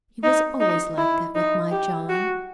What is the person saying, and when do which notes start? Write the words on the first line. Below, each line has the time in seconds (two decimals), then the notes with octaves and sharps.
It was always like that with my John.
0.24 D#4
0.60 D#4
0.98 E4
1.35 D#4
1.72 G4
2.09 F#4